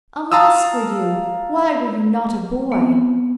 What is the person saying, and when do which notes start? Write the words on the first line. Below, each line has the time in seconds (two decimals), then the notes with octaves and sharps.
Alas for you! why were you not a boy!'
0.32 F5 A5 A#5 D#6 E6
2.72 B3 C4